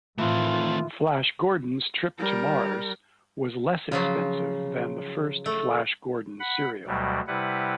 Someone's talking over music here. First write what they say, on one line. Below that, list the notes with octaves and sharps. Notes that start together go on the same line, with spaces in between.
"Flash Gordon's Trip to Mars" was less expensive than the first Flash Gordon serial.
A2 D#3 E3 A3 C4 F4
G3 A#4
C#3 F3 F#3
A3
F#5 B5
D2 B2 F#3 G3
C3 G3 E4 B4 F#5